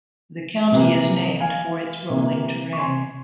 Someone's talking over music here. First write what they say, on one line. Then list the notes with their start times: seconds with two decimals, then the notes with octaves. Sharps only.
The county is named for its rolling terrain.
0.72 C3 E3 A#3
1.40 F5 G#5
2.10 C3 E3 A#3
2.73 C#6
2.78 G#5 C6